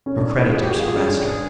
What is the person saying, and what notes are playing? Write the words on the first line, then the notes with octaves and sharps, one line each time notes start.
Her creditors harrassed her.
C#4
D4
D#4
E4
F4 G#4
F#4 G4
G#4
F4
C#4
D4